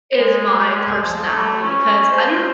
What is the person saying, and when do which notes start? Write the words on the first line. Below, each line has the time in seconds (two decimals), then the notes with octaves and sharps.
is my personality. 'Cause I don't
0.18 G#3
1.02 F3
1.25 A3
1.63 C#4
2.11 C5